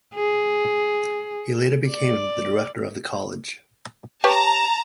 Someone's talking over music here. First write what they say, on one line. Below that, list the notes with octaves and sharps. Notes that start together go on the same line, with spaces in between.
He later became the director of the College.
G#4
D5
G4 B4 C#5 A5 A#5